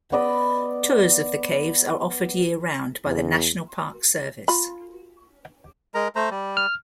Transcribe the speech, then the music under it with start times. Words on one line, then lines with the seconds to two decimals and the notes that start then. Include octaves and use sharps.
Tours of the caves are offered year round by the National Park Service.
0.12 B3 D5 D#5 B5
3.06 E2
4.48 F4 B5
5.95 G#3 A#4 A#5
6.16 A3 C5 A#5
6.31 G3
6.57 F6